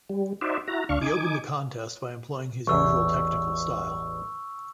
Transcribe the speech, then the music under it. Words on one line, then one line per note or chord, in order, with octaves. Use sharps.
He opened the contest by employing his usual technical style.
G3
D#4 F#4 C5 D5 E5
E4 F#4 A#5
D2 D4 F5 C#6
D#4 G#5 D6
A1 E2 C#6 E6